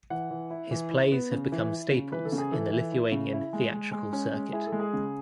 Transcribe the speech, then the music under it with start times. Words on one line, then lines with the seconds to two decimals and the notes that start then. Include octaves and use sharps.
His plays have become staples in the Lithuanian theatrical circuit.
0.10 E3 F#5
0.31 E3
0.50 E4
0.71 E3
0.91 E4
1.12 B3
1.32 C#3
1.52 E3
1.71 E4
1.91 C#3
2.12 E3 B4
2.25 A4
2.32 C#3
2.38 G#4
2.52 E3 A4
2.73 E3
2.92 E4
3.12 C#3
3.33 E4
3.53 G#3
3.73 G#3
3.92 G#3
4.13 C#4
4.33 G#3
4.53 E4 G#4
4.67 A4
4.72 G#3
4.80 G#4
4.93 C#3